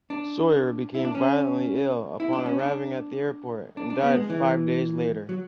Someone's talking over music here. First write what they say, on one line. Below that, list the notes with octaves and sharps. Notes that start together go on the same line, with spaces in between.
Sawyer became violently ill upon arriving at the airport and died five days later.
D4
E4
D4
C#4
E4
D4
C#4
D4
D4
D4
B3
G#3
E3
F#3